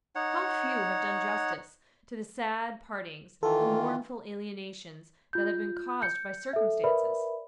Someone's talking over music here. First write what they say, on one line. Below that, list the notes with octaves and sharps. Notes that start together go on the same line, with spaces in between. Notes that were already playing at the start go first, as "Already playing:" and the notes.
How few have done justice to the sad partings, the mournful alienations that have been caused by circumstances!
D#4 C#5 F#5
D#3 E3 F4 A4
F4 G6
G6 C#7
A4 E5
A#4 B4 D5 E5 B5